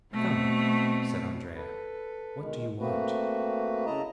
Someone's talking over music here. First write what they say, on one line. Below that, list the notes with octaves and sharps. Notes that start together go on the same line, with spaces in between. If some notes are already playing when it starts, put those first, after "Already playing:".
"Come," said Andrea, "what do you want?"
B2 A3 C4
A4 B4
B2 D#3 G#3
A3 A#3 C4 F#4 B4
C#3 E4 D#5 A5 A#5